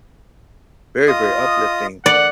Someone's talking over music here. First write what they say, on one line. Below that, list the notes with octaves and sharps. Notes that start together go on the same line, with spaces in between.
very, very uplifting,
F4 D#5 D#6
D5 F#5